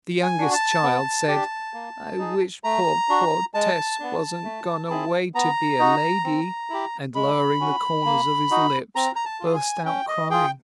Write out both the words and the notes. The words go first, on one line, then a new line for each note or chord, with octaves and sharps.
The youngest child said, "I wish poor, poor Tess wasn't gone away to be a lady!" and, lowering the corners of his lips, burst out crying.
G#5
D4 F#4
A5
B3
D4 G4
A#3
D#4 G#4
A3 A#5
D4 F#4
G#3 A5
B3 D4
A3
C4 E4 G#4
B3 A#5
D#4 F#4
C4
E4 G4
G#3 B5
C#4 F#4
A#3
D#4 F#4
C4 A#5
A#5
A5
F4 G#4
G#5
C#4 G5
D#5
F4 G#4 G5